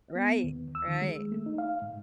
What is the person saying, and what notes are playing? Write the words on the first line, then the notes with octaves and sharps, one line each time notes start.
Right, right.
B3
D#2
E6
D#3
G#3
A3
D#4
F5
G#2